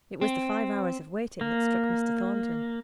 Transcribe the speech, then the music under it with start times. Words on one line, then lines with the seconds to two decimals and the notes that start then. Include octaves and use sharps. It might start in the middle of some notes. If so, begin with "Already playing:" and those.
It was the five hours of waiting that struck Mr. Thornton.
0.21 C4
1.41 A#3